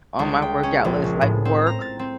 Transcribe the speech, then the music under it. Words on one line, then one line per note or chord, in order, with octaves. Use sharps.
on my workout list, like, Work,
C#2
G5
C#4
A#1
C#3
A2
C4
A#5
A6
C4